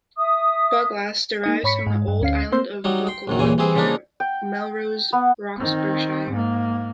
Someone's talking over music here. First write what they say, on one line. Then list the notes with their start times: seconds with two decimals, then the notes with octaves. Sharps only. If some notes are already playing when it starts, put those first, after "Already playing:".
Buglass derives from the old lands of Booklawes near Melrose, Roxburghshire.
0.17 E5 D#6
1.44 A#3 D#4 D#5
1.63 G#2 C#5 B5 C#6 B6 C#7
1.87 G#2 G#3
2.08 G2
2.21 D2 C#4 F5 C7
2.52 A#3 C4 C5 C6 E6 G6
2.84 F#3 G3 D#4
3.07 G5 C6
3.27 A#1 F#2 D#3
3.39 D#2 A#2 C#3 E3 G#5
3.58 E3 C4 G#4 E5
3.76 C#3 F3 A#3 D4 D#4
4.20 G5
5.13 B3
5.58 D#3 C4
6.30 G#2 A#3